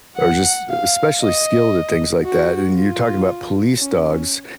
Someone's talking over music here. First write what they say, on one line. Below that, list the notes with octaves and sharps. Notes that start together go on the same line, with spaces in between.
are just especially skilled at things like that, and you're talking about police dogs,
F#5
F5
D#5
F#4
F4
C#4